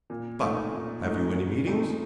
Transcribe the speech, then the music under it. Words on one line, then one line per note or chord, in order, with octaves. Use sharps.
But, have you any meetings?
A#2
A3 D#4
A#2
A3 D#4
A#2
A3 C4 D#4